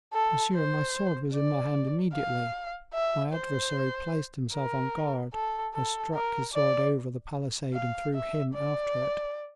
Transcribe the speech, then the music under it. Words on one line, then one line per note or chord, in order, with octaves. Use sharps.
"Monsieur, my sword was in my hand immediately, my adversary placed himself on guard, I struck his sword over the palisade, and threw him after it."
A4
C5
D5
F5
E5
C5
A#4
A4
A4
A#4
D5
F5
E5
D5